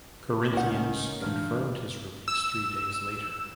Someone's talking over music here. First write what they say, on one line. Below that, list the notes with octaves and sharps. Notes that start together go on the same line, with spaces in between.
Corinthians confirmed his release three days later.
G#1 C#2 G#2 D#3 A#3 C#4 A#4 F#5
D1 G2 C3 E3 F6
E6